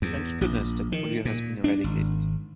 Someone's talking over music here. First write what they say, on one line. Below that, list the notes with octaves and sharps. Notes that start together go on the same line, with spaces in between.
Thank goodness that polio has been eradicated.
E2
A#1
D#3
A#2
D4
G#1